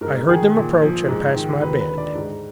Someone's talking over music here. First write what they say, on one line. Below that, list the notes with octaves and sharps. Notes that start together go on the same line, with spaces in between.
I heard them approach and pass my bed.
G#2 A#4
D#3 G#4
A#2
F3
G#2
D#3
D#2 B4
B4
D3
D5
G#2